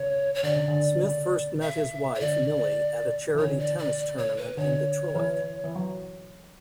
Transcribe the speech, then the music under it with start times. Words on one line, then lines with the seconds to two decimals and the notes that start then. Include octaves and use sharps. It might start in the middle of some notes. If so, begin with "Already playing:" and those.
Smith first met his wife, Millie, at a charity tennis tournament in Detroit.
Already playing: C#3 C#5
0.35 C#5
0.43 D3 D5
0.56 C#3
0.68 D3
1.03 C#3
1.62 E5
2.15 C#5
2.20 D3 D5
3.35 E3
3.39 D3 C#5
3.59 D5
3.78 D5
3.98 D5
4.17 C#5
4.37 B4
4.57 D3 C#5
5.16 E3
5.64 E3
5.76 F#3